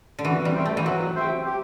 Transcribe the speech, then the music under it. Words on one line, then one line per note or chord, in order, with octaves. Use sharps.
You know, it like it it
D3
E3 F#4
G3
C5 E5 G5
A3
E3
F#3 F#4
C5 E5 G5
G4